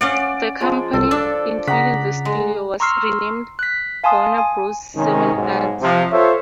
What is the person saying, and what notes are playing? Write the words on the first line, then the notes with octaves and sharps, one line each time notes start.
The company, including the studio, was renamed Warner Bros.-Seven Arts.
C#4 D5 F5 F#5
F3 G#3
C2 A4
D4 D5 E6
C#3 F#5 A#5 B6
G#3
A#5 C6 C#6 E6 F6 C7
F#6 B6
F5 G#5 A5 C6 D#6
G#5
G#2 C3 D#3 C#4
B1 G#2
C3 F3
F4 A4 C5 C#5 E5